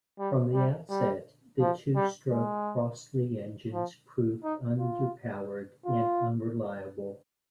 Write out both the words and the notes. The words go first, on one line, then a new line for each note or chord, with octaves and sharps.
From the outset, the two-stroke Crossley engines proved under-powered and unreliable.
G3
G3
G3
F3
G3
G#3
F3
D#4
F4
F4